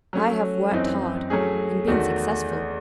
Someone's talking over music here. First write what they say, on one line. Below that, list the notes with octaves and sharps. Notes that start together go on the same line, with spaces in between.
I have worked hard and been successful.
F#3 A3 C#4
F#2 E3 C4 D#4
F#3 A3 C#4 G#4
E2 D#3 A3 D#4 F#4